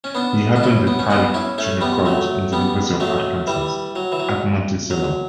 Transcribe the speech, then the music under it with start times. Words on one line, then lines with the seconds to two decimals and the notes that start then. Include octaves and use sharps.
He attended Tyler Junior College and the University of Arkansas at Monticello.
0.04 C#4
0.15 B3 D4
0.56 D4
0.63 C#4 E4
0.87 B3
0.99 C#4
1.10 B3 D4
1.34 C#4 E4
1.58 A3 C#4
1.81 G3 B3
2.05 F#3 A3
2.52 G3 B3
3.00 F#3 A3
3.47 E3 G3
3.96 F#3
4.12 E3
4.20 F#3
4.90 F#3